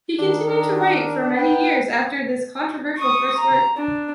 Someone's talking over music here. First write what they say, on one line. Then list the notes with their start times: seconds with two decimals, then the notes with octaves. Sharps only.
He continued to write for many years after this controversial first work.
0.19 D#3 D4
0.48 D4 A#4
1.36 B3 B4 G5
2.98 C#6 D#6
3.37 A#5
3.77 D4